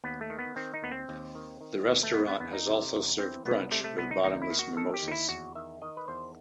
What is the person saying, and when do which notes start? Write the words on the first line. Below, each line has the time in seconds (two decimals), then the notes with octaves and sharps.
The restaurant has also served brunch with bottomless mimosas.
0.04 D#2 B3
0.21 A3
0.30 D#3
0.39 B3
0.56 D#3 C4
0.74 D#4
0.82 D#2 B3
0.91 C4
1.09 D#2
1.35 D#3
1.61 D#3
1.88 D#2
2.03 A3
2.14 D#3 B3
2.27 B3
2.40 E2 B3
2.53 D#4
2.67 C3
2.93 E2
3.19 E3 C4
3.45 C2 B3
3.71 C3 A3
3.84 A3
3.97 C2 B3
4.11 D#4
4.24 D#2 D#4
4.42 E4
4.50 D#3
4.59 F#4
4.77 D#3 A4
4.94 G4
5.03 D#2 D#4
5.12 E4
5.29 E2 F#4
5.55 D#3 E5
5.82 D#3 D#5
5.97 B4
6.08 E2 C5